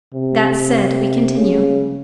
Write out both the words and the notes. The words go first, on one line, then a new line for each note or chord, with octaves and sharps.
That said, we continue.
C3
C3
C#3